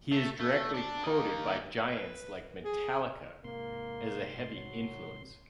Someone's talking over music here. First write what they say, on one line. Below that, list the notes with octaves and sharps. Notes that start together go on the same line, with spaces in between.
He is directly quoted by giants like Metallica as a heavy influence.
A3
A3
D4
A#3 D#5
B4
G#4
G#2 C3 A#3 C6
F#3